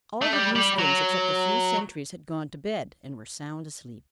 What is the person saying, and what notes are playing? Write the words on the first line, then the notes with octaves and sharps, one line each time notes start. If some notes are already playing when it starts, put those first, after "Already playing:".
All the Blueskins except a few sentries had gone to bed and were sound asleep.
A3
G3
G3
F#3